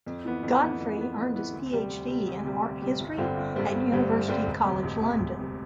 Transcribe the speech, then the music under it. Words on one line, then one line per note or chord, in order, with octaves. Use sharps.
Godfrey earned his PhD in art history at University College London.
F2
E3 B3
F2
E3 B3
F2
E3 B3
F2
E3 B3
D2
C3 G3
D2
C3 G3
D2
C3 G3
D2
C3 G3
G1
G2 D3 G3 C4
G1
G2 D3 G3 C4
G1
G2 D3 G3 C4
G1
G2 D3 G3 C4
E1
D2 C3
E1
D2 C3
E1
D2 C3